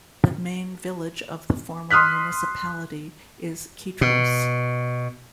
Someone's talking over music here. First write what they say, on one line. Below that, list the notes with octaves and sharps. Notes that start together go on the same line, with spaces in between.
The main village of the former municipality is Kitros.
C6 D#6 F6 F#6 B6
B2